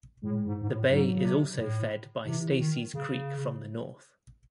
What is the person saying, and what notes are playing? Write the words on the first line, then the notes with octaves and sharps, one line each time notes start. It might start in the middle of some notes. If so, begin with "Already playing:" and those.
The bay is also fed by Stacy's Creek from the north.
A2 G#3
G#2
G#2
A2
G#2 F#3
C#3
C3
A2
C3 E3
D#3
C#3